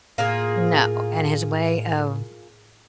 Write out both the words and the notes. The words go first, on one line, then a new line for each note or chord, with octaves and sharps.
No. And his way of
A2 A#3 F4 G#4